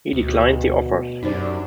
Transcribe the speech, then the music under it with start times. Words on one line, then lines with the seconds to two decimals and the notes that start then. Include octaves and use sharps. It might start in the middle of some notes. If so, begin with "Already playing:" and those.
He declined the offers.
0.13 D2 B2
1.23 F#2 D4 D#4 G4 C5